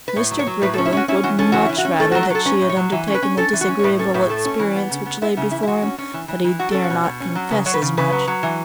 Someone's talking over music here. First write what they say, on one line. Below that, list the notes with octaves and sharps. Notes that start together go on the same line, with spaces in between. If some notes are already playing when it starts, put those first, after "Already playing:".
Mr. Briggerland would much rather that she had undertaken the disagreeable experience which lay before him, but he dare not confess as much.
B4
A2 C#5
F#3
C#5
F#3
A2 B4
A4
C#4
E4
C#4 F#4
C#4 E4
E3 F#4
C#4 A4
E3 F#4
E3 E4
F#4
C#4
A3 A4
F#4
F#3
F#4
F#3 A4
C#4 B4
A2
C#5
F#3
E3
C#4
B4
C#4
C#4 A4
E3
F#4
C#4
C#5
A2 B4
C#4 A4
A2 B4
A3 A4
C#4
E3
B3
C#3
B3
B3 E4
C#3 E4
E3 E4
E4
E3 F#4
C#4
C#4
E3
E3
E3
F#3 F#4
C#4 A4
F#4
B2
B2
C#4
F#3
C#3 B4
F#3 C#5
B4
C#3
C#3 B4
F#3
F#3
E3